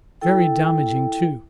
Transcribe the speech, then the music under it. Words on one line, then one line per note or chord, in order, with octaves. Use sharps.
Very damaging, too!
E4 A4 G5